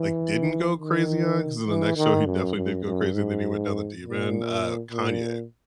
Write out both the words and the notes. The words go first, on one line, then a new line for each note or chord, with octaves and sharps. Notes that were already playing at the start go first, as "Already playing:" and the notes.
like, didn't go crazy on, 'cause in the next show he definitely did go crazy, then he went down the deep end, uh, Kanye.
Already playing: E3
D#3
E3
D#3
F#2
F#2
F#2
G#2
A#2
A#2